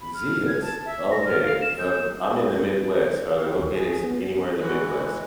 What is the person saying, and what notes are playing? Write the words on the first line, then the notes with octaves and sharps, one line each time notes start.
Zea’s? Okay, uh I'm in the Midwest. Are they located s anywhere in the Midwest?
B5
F6
G#6
A5
E5
A#6
F6
F5
E7
G6
F5
G4
D#2
G#4
G#4
B3
E3 G#3 F#4